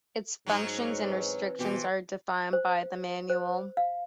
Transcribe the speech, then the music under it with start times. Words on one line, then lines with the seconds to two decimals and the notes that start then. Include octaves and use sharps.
Its functions and restrictions are defined by the Manual.
0.46 G#2 F#3 C#4 D#4
0.90 C3 E3
1.59 B2 E3 C4 G4 G#4 C5
2.53 C5
3.30 C5
3.77 F5